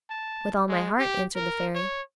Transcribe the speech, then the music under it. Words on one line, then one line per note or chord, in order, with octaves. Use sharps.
"With all my heart," answered the Fairy.
A5
G#3
G4
A#4
C#5